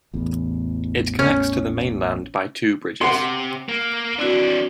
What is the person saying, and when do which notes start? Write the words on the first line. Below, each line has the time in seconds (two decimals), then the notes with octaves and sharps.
It connects to the mainland by two bridges.
0.14 A1 E2
1.19 C#4
3.01 C3 F#5 C6
3.69 A#3
4.19 E3 C4 D4 E4 F#4